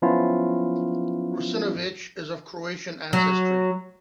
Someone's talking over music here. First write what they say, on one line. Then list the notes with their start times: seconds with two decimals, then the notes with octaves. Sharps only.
Russinovich is of Croatian ancestry.
0.02 F3 F#3 B3 C#4 E4 F4
3.13 F#3